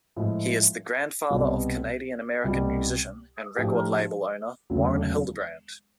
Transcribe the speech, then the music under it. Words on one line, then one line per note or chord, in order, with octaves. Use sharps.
He is the grandfather of Canadian-American musician and record label owner Warren Hildebrand.
A2 F3 G#3
C2 B2 G3 B3
C2 B2 G3
A2 F3 A3 D4 G4
E1 D2 C#3 F#3 A3